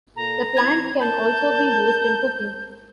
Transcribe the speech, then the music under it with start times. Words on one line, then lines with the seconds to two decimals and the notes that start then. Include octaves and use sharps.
The plant can also be used in cooking.
0.16 A#2 A#3 A4 A#5
0.57 E3 C4 G#6
1.00 A#4 A5 G6